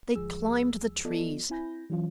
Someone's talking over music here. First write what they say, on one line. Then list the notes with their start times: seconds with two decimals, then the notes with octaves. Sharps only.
They climbed the trees.
0.15 D2 F3 G#3 G#4 E6
1.05 F3 B3 F4 A4 D5 D#5
1.50 C4 E4 G#5 B5 G6 A#6
1.90 E3 F#3 C#4 F4